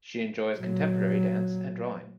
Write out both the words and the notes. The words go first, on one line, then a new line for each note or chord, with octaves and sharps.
She enjoys contemporary dance and drawing.
A#2 F#3